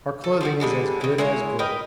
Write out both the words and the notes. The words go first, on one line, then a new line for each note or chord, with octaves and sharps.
'Our clothing is as good as good.
A4
F3 G3 F#4
D3 G3 G#3 A4
D#3 E3
G#3 E4 A#4 C#5
A#4 B4 D#5 G5